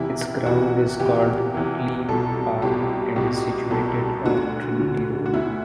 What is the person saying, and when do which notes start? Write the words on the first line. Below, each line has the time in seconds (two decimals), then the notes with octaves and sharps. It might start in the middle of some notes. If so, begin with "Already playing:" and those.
Its ground is called Glebe Park and is situated off Trinity Road.
Already playing: E2 C3 E3 E4
0.45 E2 C3 E3 F#4
1.00 E2 C3 E3 G4
1.54 E2 C3 E3
2.08 C2 B2 A4
2.62 C2 B2 G4
3.16 C2 B2 G4
3.70 C2 B2 A4
4.25 D2 D3 F#4
4.79 D2 D3
5.26 F#4
5.33 D2 D3 E4